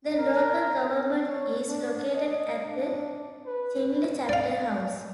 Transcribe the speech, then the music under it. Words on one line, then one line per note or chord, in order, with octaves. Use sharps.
The local government is located at the Chinle Chapter House.
A#4
C#5
D4
D#5
D4
B4
D5 F5